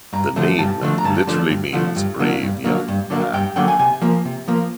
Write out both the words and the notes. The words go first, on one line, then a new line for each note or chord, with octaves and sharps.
The name literally means "brave young man".
G2 A#5
D3 F3 A3 D4
G2 A5
D3 F3 A3 D4
A#5
G2 A5
D3 F3 A3 D4
G2
D3 F3 A3 D4
G2
D3 F#3 A#3 D4
G2
D3 F#3 A#3 D4
G2
D3 F#3 A#3 D4
G2 G5
D3 F#3 A#3 D4 G5
G#5
C3 G#5
F3 A#3
C3
F3 A#3